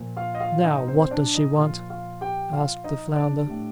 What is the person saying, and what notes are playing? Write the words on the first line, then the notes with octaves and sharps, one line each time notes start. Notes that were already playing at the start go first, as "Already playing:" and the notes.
"Now, what does she want?" asked the flounder.
Already playing: A#2 F3
F4 F5
D#5
F4 F5
D#4 D#5
C4 C5
C5
D4 D5
D#4 D#5
A#2 F3 F4 F5
F4 F5
G4 G5
F4 F5
D#4 D#5
D#5
D4 D5
A2 G3